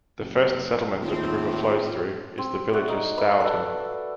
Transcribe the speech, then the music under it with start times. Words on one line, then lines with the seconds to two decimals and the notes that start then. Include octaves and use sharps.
The first settlement that the river flows through is the village of Stourton.
0.18 F#1
1.02 D#2 A2 C4 F4
2.38 C4
2.73 F#4 D5 E5 F#5
2.88 D#4
3.17 B4 D5 E5
3.40 A4